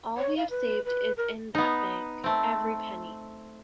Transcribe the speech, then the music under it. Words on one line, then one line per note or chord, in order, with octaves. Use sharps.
All we have saved is in that bank — every penny.
C#5
F5
B4
B4
A#4
B3 D#4
A3 C4